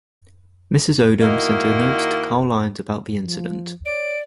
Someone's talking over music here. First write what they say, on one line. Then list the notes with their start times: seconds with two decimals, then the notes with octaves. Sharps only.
Mrs. Odom sent a note to Carl Lyons about the incident.
1.22 D#3 A#3 E4 F#4 D#5
3.22 F3
3.85 C#5 D5 D7